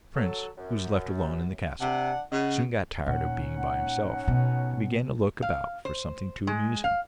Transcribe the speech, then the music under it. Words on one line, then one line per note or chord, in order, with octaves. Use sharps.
The prince, who was left alone in the castle, soon got tired of being by himself, and began to look about for something to amuse him.
F#3 A4
F#2
C3 D4 F#5
C#3 D#5 F#5
A#2 C#4 D#4 F#5
B2
F5
C5
G#3
F5